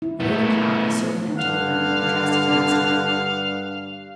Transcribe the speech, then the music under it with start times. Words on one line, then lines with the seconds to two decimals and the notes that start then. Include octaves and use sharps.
At eight o'clock a servant entered the room and addressed his master.
0.02 E4
0.20 A#2 A3 B3 E4
1.37 G2 D3 F5 F#5